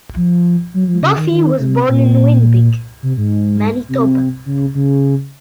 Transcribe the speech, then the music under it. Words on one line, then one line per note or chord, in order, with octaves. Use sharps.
Buffie was born in Winnipeg, Manitoba.
F3
F#3
F3
C#3
D#3
D#3
C3
A#2
C3
G#2
C3
C#3
C#3